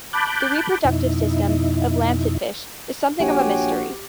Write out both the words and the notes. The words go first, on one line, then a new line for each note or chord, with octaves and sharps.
The reproductive system of lancetfish is something of a mystery.
A5 B5 D6 F#6 G6
F2 B2 D#4 E4
A#1 F#4 G4 C#5 G5 G#5